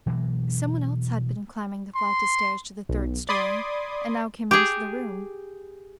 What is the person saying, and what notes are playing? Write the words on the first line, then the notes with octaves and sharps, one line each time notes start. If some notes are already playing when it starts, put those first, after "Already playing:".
Some one else had been climbing the flight of stairs to the third story, and now came into the room.
B2 E3 F#3 A#3
C6
B1
D5 B5 C6 D6 D#6 G#6
G4 G#4